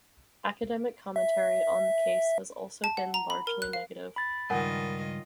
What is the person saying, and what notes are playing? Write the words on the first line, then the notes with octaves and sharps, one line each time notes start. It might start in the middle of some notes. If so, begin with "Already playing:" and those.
Academic commentary on the case has also been largely negative.
E5
A5
F#5
A#5
B5
A#4
F#6
F5
B5 A6
C#2 G2 D#3 F4 A#4 D#5 F#5 G#5